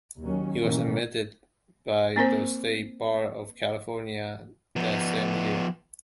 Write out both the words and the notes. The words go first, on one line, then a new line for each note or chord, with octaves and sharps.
He was admitted by the State Bar of California that same year.
D#2 D#3 F#3 C#4
B2 D#3 E3 A#3 C#4
A#3 C4 A#4 C5
F3 B3